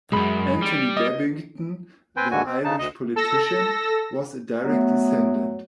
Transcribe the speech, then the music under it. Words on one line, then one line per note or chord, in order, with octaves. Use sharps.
Anthony Babington, the Irish politician was a direct descendant.
B1 F#2 G#3 B5
G3
D#5
C4 B4 C5 G5 G#5
D#2 G#2 D3 F#4 G#5
C4
C#3 D#4 A5
D2 D#5
A4 E6 A#6
F#3 A3 B3